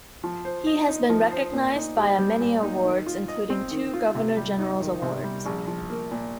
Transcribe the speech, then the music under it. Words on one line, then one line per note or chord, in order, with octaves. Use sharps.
He has been recognised via many awards, including two Governor General's Awards.
F3
C5
D#5
D#4
F3
C5
A#2
D#4
G4
G3
A#2
D#4
D#3
F4
D#5
C4
D#3
F4
C3
G3
D#4
D#3
C3
G3
A#1
F3
A#3
A#2